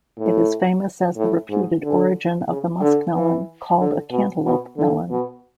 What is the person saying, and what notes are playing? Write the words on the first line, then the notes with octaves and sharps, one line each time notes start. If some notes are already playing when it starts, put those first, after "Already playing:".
It is famous as the reputed origin of the muskmelon called a cantaloupe melon.
A2
A2
G#2
D3
C#3
D3
E3
D3
B2
B2
D3
B2